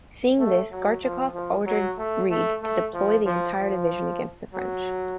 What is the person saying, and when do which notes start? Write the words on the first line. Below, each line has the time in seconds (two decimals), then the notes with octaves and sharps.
Seeing this Gorchakov ordered Read to deploy the entire division against the French.
0.39 A3
0.71 F#3
1.03 F3
1.35 F3
1.66 F#3
1.98 A3
2.30 A3
2.62 A3
2.94 F3
3.26 F3
3.58 F3
4.53 F#3